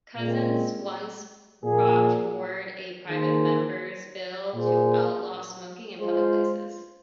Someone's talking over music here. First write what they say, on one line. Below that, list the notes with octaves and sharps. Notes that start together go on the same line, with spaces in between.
Cousens once brought forward a private member's bill to outlaw smoking in public places.
A#2 G#3 C4
A#2 F3 A#3 G#4
D#3 A#3 G#4 C5
A#2 A#3 G#4 C5
G#3 F4 C5